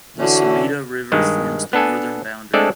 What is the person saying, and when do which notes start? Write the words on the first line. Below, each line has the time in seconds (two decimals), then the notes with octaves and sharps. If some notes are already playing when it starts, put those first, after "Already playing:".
The Sumida River forms the northern boundary.
0.19 D3 E3 C#4 F#4
1.12 G2 D#3 G#3
1.73 B3 D4 A4 G#5
2.54 G#3 A3 C4 D4 A4 D5